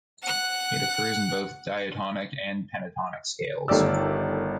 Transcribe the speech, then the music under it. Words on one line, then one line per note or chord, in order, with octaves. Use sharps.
It occurs in both diatonic and pentatonic scales.
F#5 F#6
G1 D#3 A3 G4 D5 E6